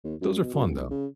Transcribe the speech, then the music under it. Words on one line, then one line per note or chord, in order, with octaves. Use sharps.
Those are fun, though.
D#2
F#2
B2
F#2
D1
C#3